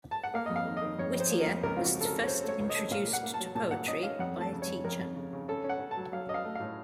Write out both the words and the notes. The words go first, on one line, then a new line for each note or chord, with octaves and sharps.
Whittier was first introduced to poetry by a teacher.
A5
F#5
A#3 F5
F2 D#5
F5
D#3
D#5
D#3
F2 C#5
F2 C5
A#3
F2 A#4
C#2 A#4
C4 F4
F#4
C#3
A4
A#4
C#3
C#5
C#3 C5
A3
C#5
C#2
D#5
A3
A#2 F5
A#3
F#5
A#3
A5
F#3
A#2 A5
A#2 F#5
C#4 D#5
C#4 F5
F2 F#5
A3 A5
C#3
C#5
F2
F2 A#4
F2
C#3
C#3
C#4 A4
C#4
F#5
C#4
A5
F#3
F#3 F5
C#4 D#5
F5
A3
A2 F5